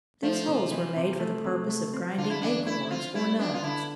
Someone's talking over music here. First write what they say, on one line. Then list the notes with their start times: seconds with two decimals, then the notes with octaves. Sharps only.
These holes were made for the purpose of grinding acorns or nuts.
0.23 F3 A3
0.47 C3
0.72 E3
0.96 C3
1.20 A3
1.44 C3
1.69 A3
1.94 C4
2.18 D3 F4
2.30 E4
2.41 E2 D4
2.66 A3 E4
2.91 C4 F4
3.14 G3 E4
3.39 B3 D4
3.54 F4
3.63 D3 E4